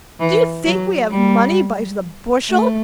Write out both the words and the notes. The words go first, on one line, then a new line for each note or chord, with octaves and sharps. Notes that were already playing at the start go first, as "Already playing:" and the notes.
'Do you think we have money by the bushel?'
E3
F#3
G3
A3